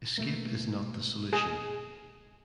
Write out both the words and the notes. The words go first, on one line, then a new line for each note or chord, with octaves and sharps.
Escape is not the solution.
B2 A3 A#3
G#4